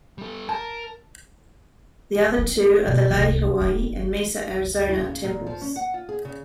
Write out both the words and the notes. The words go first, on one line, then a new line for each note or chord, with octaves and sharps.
The other two are the Laie Hawaii and Mesa Arizona temples.
G3 A4
A#4 A5
C4
B2
C2
G3
E4
C#3
A#2
F3
C#4
F#5
F4
G#4
C#3